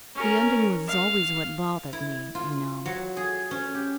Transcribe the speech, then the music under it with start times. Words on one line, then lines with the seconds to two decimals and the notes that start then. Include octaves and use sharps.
"The ending was always what bothered me, you know."
0.15 C#4 A#4
0.87 F5
1.93 E4
2.35 F4
2.86 F#3
3.17 G#4
3.51 C#4
3.75 G4